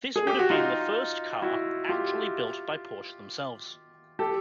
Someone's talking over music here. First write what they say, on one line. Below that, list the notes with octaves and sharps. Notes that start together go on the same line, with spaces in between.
This would have been the first car actually built by Porsche themselves.
G#4
G4
F#4
D#4 F4
E4 F#4
F4 G4
G4 A4